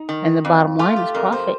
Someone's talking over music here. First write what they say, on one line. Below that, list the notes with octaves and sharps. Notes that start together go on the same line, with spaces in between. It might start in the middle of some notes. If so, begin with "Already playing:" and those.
and the bottom line is profit.
Already playing: D#4
D#3
F2
A3 F4
G4
F2 A#4
C5